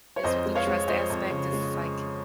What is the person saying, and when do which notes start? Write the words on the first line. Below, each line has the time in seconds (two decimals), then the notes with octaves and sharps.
it's with the trust aspect, it's like
0.16 C#5
0.23 F2 C5 D#5
0.46 G#3
0.55 C#5 F5
0.67 G#3
0.88 F3 C5 D#5
1.10 F2
1.30 C#3
1.53 G#3